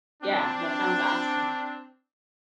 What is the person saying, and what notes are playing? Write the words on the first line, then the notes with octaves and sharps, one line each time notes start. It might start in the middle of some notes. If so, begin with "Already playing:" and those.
Yeah, that sounds awesome.
C4 D4